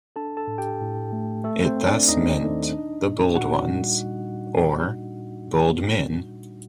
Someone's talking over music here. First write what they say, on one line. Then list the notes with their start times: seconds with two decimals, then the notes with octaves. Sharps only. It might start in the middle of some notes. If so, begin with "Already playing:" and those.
It thus meant "the Bold ones" or "Bold men".
0.16 D4 A4 A5
0.37 A4 A5
0.47 A2
0.58 G4 G5
0.81 A2
1.13 A3
1.44 A3 A4
1.65 C4 C5
1.77 C4
1.86 D4 D5
2.08 D#2 D#4 D#5
2.40 D#3
2.73 D4
3.05 A#2
3.36 A#2 F#4 F#5
3.69 G3